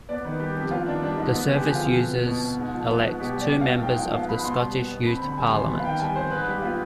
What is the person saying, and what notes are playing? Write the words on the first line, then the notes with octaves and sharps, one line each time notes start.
The service users elect two members of the Scottish Youth Parliament.
B3 D5
D#3 B4
G3 G4
F2 G4
B3 F4
D#3 D4
G3 D4
G#2 D#4
B3
D3 G4
G#4
F3
F4
F2
B3
B3
B2
B2
G#2
F3
B3
G#2
B2 G4
G3 D5
B3
F5
B2
G#2 G5
F3 F5
B3 F5
G#2 B5
B2 C6
G3
B3
B2
C4 B5
D3 B5
G3 G#5
D#2 C6
B3 B5
F5
D#3 G5
G3 G#5
F2 C5
G#2 B4
G3 G4
B3 F4